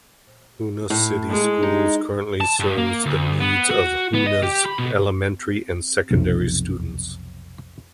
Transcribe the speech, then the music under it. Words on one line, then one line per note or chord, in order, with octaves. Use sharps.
Hoonah City Schools currently serves the needs of Hoonah's elementary and secondary students.
A2
G#3
D#4
A5
G2
A#3
D2
B3
F#4
B3
D#5
G4
B5
B2
B1 F2 C3